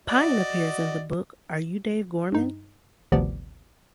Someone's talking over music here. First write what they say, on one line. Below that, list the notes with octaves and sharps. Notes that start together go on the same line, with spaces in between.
Pine appears in the book Are You Dave Gorman?
F#4 D5 D#5
G2 D#4
G#1 D2 C3 F3 B3 D5